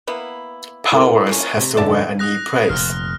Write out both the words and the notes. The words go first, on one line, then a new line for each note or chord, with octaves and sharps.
Powers has to wear a knee brace.
A#3 B3 E4
E4 A4 A#4
F3 A#3 C#4
C3
F#2 B2 D3 D5 E5 A5
D#6 F#6 A#6
F1 A#2 F6